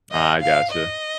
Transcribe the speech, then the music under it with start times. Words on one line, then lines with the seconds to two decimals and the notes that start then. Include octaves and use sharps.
I gotcha.
0.11 D#5
0.41 F5
0.71 D#5